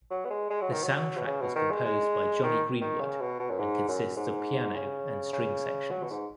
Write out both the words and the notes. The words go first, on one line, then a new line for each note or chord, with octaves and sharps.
The soundtrack was composed by Jonny Greenwood and consists of piano and string sections.
F#3
B3
G#3
G#3
F#3
D#3
F#3
B2
C#3
B2
D#3
G#3
G#3
D#3
D#3
C#3
B2
B2
F#2
G#2
F#2
G#2
C#3
C#3
F#3
B2
G#2